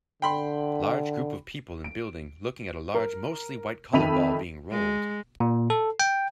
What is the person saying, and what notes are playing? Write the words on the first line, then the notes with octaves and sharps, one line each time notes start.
Large group of people in a building looking at a large mostly white color ball being rolled.
D3 G5 B5 C6
D7
A#4
F2 D#3 E5 B5 D#7 F7
G#3
A#2
A4
G5